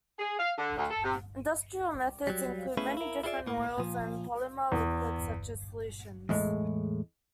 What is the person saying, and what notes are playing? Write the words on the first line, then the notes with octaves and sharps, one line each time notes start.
Industrial methods include many different oils, and polymer liquids such as solutions.
G#4
F5
D3
D2
A4
C3
F#3 G3
A3 C#4 E4 G#4 B4
E4 A#4
E4 F4 G#4 C#5 D5 E5
A2 A#3
A#2 F3
E2
E2 A2 G#3